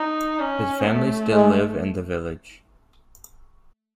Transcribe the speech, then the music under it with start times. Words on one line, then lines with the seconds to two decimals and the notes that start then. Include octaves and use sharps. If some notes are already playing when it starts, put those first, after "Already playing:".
His family still live in the village.
Already playing: D#4
0.40 C#4
0.87 A3
1.32 G#3